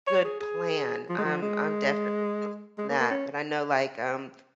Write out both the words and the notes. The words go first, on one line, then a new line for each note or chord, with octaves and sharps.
good plan. I'm I'm definitely feel you on that, but I know, like, um,
C#5
G#4
G#4
F3
G#3
F3
G#3
G#3
A#3
A#3
C#4